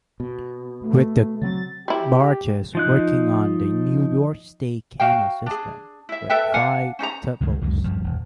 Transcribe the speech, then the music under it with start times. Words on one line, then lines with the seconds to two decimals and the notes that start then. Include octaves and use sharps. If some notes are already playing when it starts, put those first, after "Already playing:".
With the barges working on the New York State Canal System with five tugboats.
0.20 B2
0.82 A3
1.42 C#3 F#3 C4 A6
1.88 G3 E4 G4
2.75 F3 D#4 F#6
5.00 F#4 F5 G5
5.46 D4 G#4
6.09 E4 E5
6.30 A4 B4 E5 G5
6.54 D4 F5 F#5 G#5
6.99 C#4 D#4 A4 A#5
7.41 C#2 G2 D#3 G#3
7.61 C#2 F#2 D3 G#3
7.84 D#1 G2 F3 G3
8.04 D#1